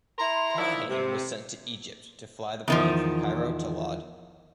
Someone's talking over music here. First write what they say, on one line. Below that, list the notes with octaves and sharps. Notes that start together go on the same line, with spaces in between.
Kahane was sent to Egypt to fly the plane from Cairo to Lod.
E4 A#5 C6
D#3 F3 D4 E4
C3
E2 D#3 F3